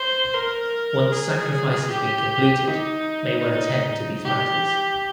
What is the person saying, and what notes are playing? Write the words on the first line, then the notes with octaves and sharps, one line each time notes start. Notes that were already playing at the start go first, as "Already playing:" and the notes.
Once sacrifice has been completed, may one attend to these matters.
Already playing: C5
A#4
G#4
G4
D#4
G4